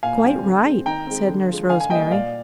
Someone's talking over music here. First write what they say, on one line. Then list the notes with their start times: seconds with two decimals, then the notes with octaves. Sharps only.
"Quite right," said Nurse Rosemary.
0.03 A#2 F5 G#5
0.24 G3 C4
0.44 D3
0.65 G#3 C4
0.86 D#3 G5 A#5
1.07 G#3 C4
1.28 D3
1.49 F3 G#3
1.69 D3 F5 G#5
1.80 G#5
1.90 G3 A#3 D#5 G5
2.11 A#2 D5 F5